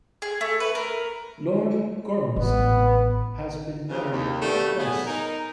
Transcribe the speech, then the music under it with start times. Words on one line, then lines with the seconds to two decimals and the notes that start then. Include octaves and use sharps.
Lord Gormanston has been married twice.
0.22 G#4
0.41 A3
0.60 B4
0.75 A#4
2.36 A1 B3
3.89 D#2 A2 C#3
4.12 D#2
4.41 G2 B2 G3 A3
4.78 B3 G#4
5.07 D#4 A#4